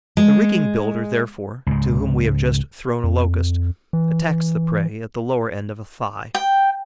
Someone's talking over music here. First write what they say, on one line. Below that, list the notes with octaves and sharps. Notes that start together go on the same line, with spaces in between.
The rigging-builder, therefore, to whom we have just thrown a Locust attacks the prey at the lower end of a thigh.
G#3
C#2 G#2
F2
E3
G5